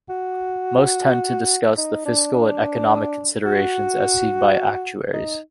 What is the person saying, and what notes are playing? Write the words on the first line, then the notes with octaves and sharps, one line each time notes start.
Most tend to discuss the fiscal and economic considerations as seen by actuaries.
F#4
D#4
D4
D4
F#4
D#4